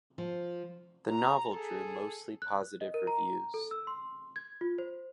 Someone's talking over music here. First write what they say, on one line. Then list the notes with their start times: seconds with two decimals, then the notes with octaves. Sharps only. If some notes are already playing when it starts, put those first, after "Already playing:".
The novel drew mostly positive reviews.
0.18 F3
1.09 A#5
1.54 G#4 A4
2.42 F#6
2.81 D#5
2.94 A#4
3.07 A#5
3.54 A4
3.71 E6
3.87 C6
4.36 G#6
4.61 F4
4.78 C5